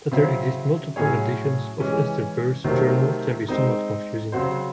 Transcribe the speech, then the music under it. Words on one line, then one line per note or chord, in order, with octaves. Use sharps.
That there exist multiple editions of Esther Burr's Journal can be somewhat confusing.
C#3 F#3 C4 E4
A2 F#3 C#4 G#4 C#5
E3 G#3 C#4
C3 D#3 F#3 A3 C4
G#3 C4 D#4
C#3 F#3 C4 F#4 C5